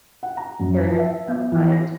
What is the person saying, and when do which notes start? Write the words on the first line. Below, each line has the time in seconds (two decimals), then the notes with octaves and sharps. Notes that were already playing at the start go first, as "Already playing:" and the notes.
carriers of some kind.
0.23 F#5
0.37 A#5
0.60 F#2
0.86 F3
0.99 E5
1.27 B3
1.52 E3
1.72 A#6